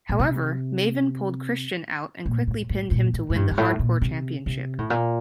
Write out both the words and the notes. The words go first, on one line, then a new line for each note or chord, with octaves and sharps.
However, Maven pulled Christian out and quickly pinned him to win the Hardcore Championship.
A#2
C3
A#2
A2
A2
A#2
A2
A2
G2
G2
A2
A#2
C3
C3
A2
A#2